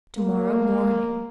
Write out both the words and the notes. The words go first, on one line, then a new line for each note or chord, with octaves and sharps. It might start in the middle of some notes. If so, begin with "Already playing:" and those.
"To-morrow morning."
A#3